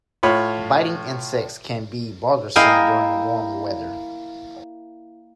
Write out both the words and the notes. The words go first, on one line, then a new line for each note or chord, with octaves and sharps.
Biting insects can be bothersome during warm weather.
A2 F4 C#5 B5
A#3 E4 D#5 F5 G5 G#5